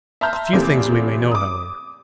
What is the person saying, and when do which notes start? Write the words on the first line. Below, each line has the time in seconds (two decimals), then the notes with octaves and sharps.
A few things we may know, however.
0.21 E5 A5 A#5 C6 F6 G6
0.53 E2 C3 A3 A#3 C4
1.32 D6 D#6